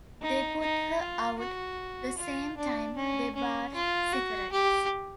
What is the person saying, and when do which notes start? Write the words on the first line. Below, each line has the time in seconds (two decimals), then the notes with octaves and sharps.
They put her out the same time they barred cigarettes.
0.22 D#4
0.60 D#4
1.00 F4
1.39 F#4
2.18 F4
2.57 D4
2.96 C#4
3.35 C#4
3.74 F4
4.13 F#4
4.52 G4